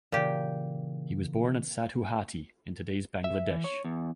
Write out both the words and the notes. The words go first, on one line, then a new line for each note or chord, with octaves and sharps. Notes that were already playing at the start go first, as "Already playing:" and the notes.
He was born at Sadhuhati in today's Bangladesh.
A#2 C#3 E3 G4
E5
E3
C#5
E2